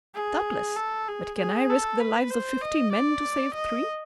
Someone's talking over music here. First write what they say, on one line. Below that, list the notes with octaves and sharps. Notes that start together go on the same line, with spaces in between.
"Doubtless; but can I risk the lives of fifty men to save three?"
G#4
A4
G#4
G#4
A4
B4
C5
D#5
D5
D#5